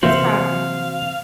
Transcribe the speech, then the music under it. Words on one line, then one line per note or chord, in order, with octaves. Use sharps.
it's probably"
C3 E3 A#3 F#4 C5 E5 F5